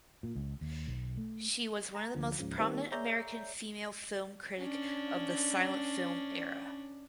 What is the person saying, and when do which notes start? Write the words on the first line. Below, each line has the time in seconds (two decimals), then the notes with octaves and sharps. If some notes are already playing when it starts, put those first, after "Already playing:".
She was the most prominent American female film critic of the silent film era.
0.23 A#2
0.35 C#2
0.61 D#2
0.87 B1
1.17 A3
1.95 A#5
2.15 D2 D3 F3
2.39 C#2 G#2 C#3 F3
2.58 D#3 G3 A#3 C4
2.92 G#4 C#5 D5 E5 A#5 G6
4.60 C#4 D4